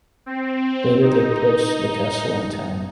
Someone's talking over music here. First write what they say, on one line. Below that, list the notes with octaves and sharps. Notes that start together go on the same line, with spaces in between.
Later, they pledged the castle and town.
C4
D#4